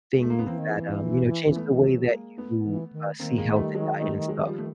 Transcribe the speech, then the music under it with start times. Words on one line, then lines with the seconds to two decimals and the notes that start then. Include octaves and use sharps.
things that, um, you know, changed the way that you, uh, see health and diet and stuff.
0.14 G#3
0.22 A3
0.30 A#3
0.39 B3
0.46 E3 A#3 C4
0.59 D#3
0.69 E3
1.56 A3 B3
1.83 F#3 G#3
2.11 G#3 A#3
2.37 A3 B3
2.65 E3
2.93 D#3
3.19 D#3 A#3 C4
3.38 G#3 A#3
3.56 G3 A3
3.74 F#3 G#3
4.01 G3 A3
4.28 F#3 G#3
4.46 F3 G3
4.58 A3